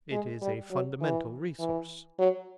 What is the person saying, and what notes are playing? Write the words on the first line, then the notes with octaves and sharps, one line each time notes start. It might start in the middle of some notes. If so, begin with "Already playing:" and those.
It is a fundamental resource.
G#3
G3
F#3
E3
E3
F#3